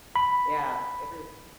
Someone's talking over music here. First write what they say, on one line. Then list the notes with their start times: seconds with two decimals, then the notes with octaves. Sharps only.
yeah, every
0.16 B5